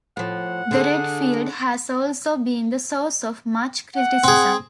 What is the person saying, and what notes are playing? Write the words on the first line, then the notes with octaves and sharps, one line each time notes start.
The red field has also been the source of much criticism.
A2 F3 F#5
D3 D4 G#4
F#5
C4 G#4